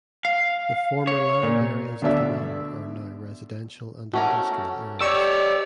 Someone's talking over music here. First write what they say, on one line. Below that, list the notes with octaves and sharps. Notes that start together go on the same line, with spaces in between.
The former land areas of the manor are now residential and industrial areas.
F5
C#5
A#2
D2 B2 D5 E5
A3 C#4 F#4 A#4
G4 C#5 D5 C#6 E6